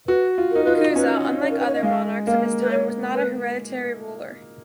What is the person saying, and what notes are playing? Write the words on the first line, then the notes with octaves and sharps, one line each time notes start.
Cuza, unlike other monarchs of his time, was not a hereditary ruler.
F#4 B4
F4
D#4 A#4
F4 B4
A#4
C#4 B4
C#5
A#4
B4
C#5
D#5
G#3 F5
A#3 F5
B4
C#5
B4